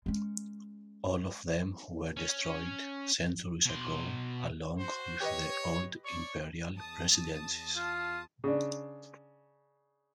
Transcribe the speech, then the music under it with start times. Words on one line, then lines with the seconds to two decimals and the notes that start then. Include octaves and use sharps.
All of them were destroyed centuries ago along with the old imperial residences.
0.06 G#3 C#4
2.17 C#4
3.66 B2 C6
4.78 F#4 C5
5.20 G4 B4 C#5 D#5
6.05 C#5 D5 C#6
6.75 E2 A5 D#6
7.76 F4
8.44 C#3 D4